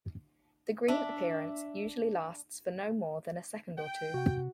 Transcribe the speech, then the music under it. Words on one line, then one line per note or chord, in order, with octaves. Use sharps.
The green appearance usually lasts for no more than a second or two.
D4 E5
G5
C3 F#4 F#5